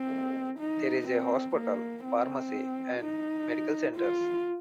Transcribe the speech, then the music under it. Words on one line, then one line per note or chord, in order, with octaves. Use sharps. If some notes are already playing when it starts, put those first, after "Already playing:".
There is a hospital, pharmacy, and medical centres.
Already playing: C4
D#4
C4
A#3
C4
D#4
F4